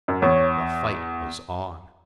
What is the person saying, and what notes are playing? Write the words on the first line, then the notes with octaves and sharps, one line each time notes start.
The fight was on!
F#2
E2 C#5